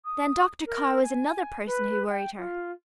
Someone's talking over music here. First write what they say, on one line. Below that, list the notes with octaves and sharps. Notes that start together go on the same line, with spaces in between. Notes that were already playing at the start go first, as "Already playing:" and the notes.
Then Dr. Carr was another person who worried her.
D#6
A#4
G#5
B4
G5
F4